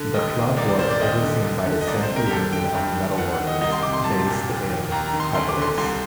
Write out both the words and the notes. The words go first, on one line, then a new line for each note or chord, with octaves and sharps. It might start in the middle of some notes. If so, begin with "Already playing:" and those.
The club was overseen by the "Central Union of Metal Workers", based in Katowice.
Already playing: D3
D#2 D#5
D#3
C2 D5
D5
A#2 C5
D5
D#2 D#5
D3
D#2
D3
D#5
C2 D5
C5
C3
A#4
G4
D#2 A4
D3 G5
G2
D#3
D#2 F#5
F#5
D#3
D#5
C2 D#5
C6
C3 D6
C6
C2 A5
A#2
D#2
D#3
D#2 A#5
A#5
D#3
C6
D2 C6
D6
D3 C6
C2 C6